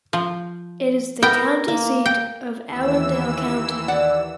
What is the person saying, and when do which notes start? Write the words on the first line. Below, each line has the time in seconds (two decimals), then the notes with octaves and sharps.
It is the county seat of Allendale County.
0.13 F3
1.22 B3 A#4 G5
1.68 A#3
2.06 G5
2.65 D#2 E3 E6
3.88 D5 F#5